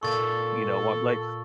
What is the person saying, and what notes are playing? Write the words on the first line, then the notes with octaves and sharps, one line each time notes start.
You know, what, like
A#2 A4 C#6 A6